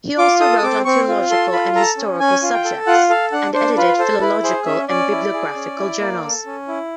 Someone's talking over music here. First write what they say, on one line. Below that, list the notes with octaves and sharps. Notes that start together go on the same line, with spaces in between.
He also wrote on theological and historical subjects, and edited philological and bibliographical journals.
F4 D6
A4 D#6
D#6
C4 D6
C4 C#6
F4
A4 C6
F4 B5
A4 A#5
C#4
C#4 G#5
F4
G5
A4
F4 F#5
A4 F5
D4 F#5
D4 C5
F4 B4
A4 C5
E4 B4
G#4 C5
C#4 E5
C#4 D5
E4
G#4
C#4
E4
A#3
A4
C#4
E4